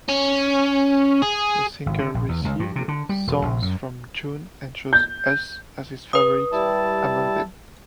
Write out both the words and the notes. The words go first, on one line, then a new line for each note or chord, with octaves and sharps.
The singer received songs from Jhun and chose "Us" as his favorite among them.
C#4
G#4
G#1
D3
A#1
E2
C#2
G2
C3
D3
G3
E1
A#1
F#2
G6
B4 D#6
G3 E4 A5